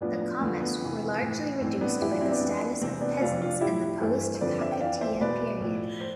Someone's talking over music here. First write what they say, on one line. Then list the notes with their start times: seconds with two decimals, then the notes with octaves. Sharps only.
The Kammas were largely reduced by the status of peasants in the post-Kakatiya period.
0.01 A2 F3 B3 D4
0.21 B3
0.41 E2 D3 F3 B3
0.61 B3
0.81 F2 C3 E3
1.21 A2 E3
1.61 A2 E3 C4
1.81 B3 D4
2.01 A2 E3 E4 G4
2.11 D4 F4
2.21 C4 E4
2.31 B3 D4
2.40 F2 E3
2.81 E2 C3 E3 C4
3.01 B3 D4
3.21 F2 C3 F3 D4 F4
3.42 D4 F4
3.61 A2 F3 E4 G4
4.00 G2 E3 A4 C5
4.35 C5
4.41 F2 D3 F3 B4 D5
4.61 C5 E5
4.71 G5
4.80 F2 E3 D5 F5
5.01 C5 E5
5.20 E2 B2 B4 D5
5.60 A2 F3
6.01 C5